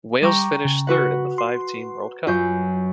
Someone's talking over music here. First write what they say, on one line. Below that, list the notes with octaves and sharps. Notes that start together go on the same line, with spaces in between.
Wales finished third in the five-team World Cup.
G3 G5 A#5 C#6 D6
C#3
F#4 B4 F#5
C6
F#2 F4 G6